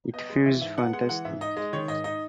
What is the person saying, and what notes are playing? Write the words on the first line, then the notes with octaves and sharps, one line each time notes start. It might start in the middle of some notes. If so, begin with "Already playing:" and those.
It feels fantastic.
B3 D#5
G#3
E3 E5
G#2 E5
B3 F#5
G#3 F#5
E3 F#5
G#2 E5
D#4 D#5
G#3 D#5
D#3 C#5
G#2 D#5
D#4 D#5